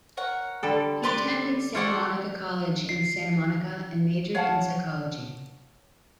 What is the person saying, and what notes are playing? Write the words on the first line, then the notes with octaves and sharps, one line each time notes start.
He attended Santa Monica College in Santa Monica and majored in Psychology.
A#4 C#5 F#5
D3 G3 A4
B4 D5 C6 D6
F4 G4 A4 C#5 D5 F#5
C7
C#5 F5 F#5 A5